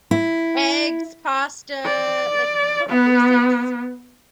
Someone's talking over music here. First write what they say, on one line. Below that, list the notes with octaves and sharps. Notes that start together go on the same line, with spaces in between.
eggs, pasta, like, all the basics,
E4
D5
B3